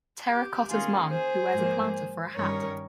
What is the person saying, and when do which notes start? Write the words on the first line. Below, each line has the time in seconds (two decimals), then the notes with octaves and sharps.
Terra Cotta's mom who wears a planter for a hat.
0.27 G4
0.68 D#3 A#3 C#4 F4 G#4
1.10 G#4 C5
1.52 G#2 F3 A#3
2.35 G2 D#3 G3 C#4 A#4 C#5